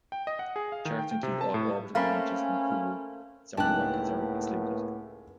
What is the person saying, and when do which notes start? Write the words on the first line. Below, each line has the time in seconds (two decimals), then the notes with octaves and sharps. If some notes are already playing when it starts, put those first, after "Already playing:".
Charts include all orbital launches from Kourou; sounding rockets are excluded.
0.12 G5
0.27 D#5
0.39 F#5
0.56 G#4
0.72 F5
0.85 D#3
0.99 G5
1.11 G5
1.23 C3
1.41 A5
1.54 A2
1.95 A3 A#3 C4 C#4 F5 B5
3.57 C#2 A2 A#3 B3 D#4 G4 F#5 A5